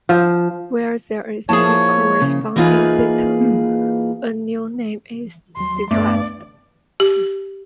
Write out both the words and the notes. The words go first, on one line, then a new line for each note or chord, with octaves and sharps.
Where there is no corresponding system, a new name is devised.
F3
F3 A#3 E4 G#4 C#5 A5
C#3
E3 A#3 D#4 F4 G#4 B4
D#2 F#3 C6
D2 G2 A3 B3 D5 D6
G4